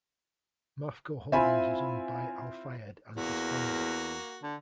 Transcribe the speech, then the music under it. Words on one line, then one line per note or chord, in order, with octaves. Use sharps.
Mafco Holdings is owned by Al-Fayed and his family.
C4 E4 F4 E5 G#5 B5
E2 A#3 F#4
D3